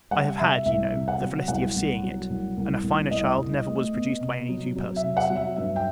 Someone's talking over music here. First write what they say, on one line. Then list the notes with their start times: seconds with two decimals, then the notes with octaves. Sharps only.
I have had, you know, the felicity of seeing it, and a finer child never was produced by any two persons.
0.11 G3 F#5
0.38 C3 E5
0.66 C2 E5
0.93 C3
1.08 F#5
1.20 F#3
1.48 C2 F#5
1.76 C2
2.03 F#3
2.30 C2
2.57 C2
2.84 C2
3.11 C2 D#5
3.38 C2
3.66 A3
3.93 B3
4.20 C3
4.49 F#3
4.76 F#3
4.96 E5
5.02 C3
5.17 F#5
5.30 F#3
5.36 E5
5.57 G2 E5
5.76 G5